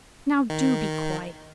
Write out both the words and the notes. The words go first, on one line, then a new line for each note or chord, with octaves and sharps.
'Now do be quiet.
D#3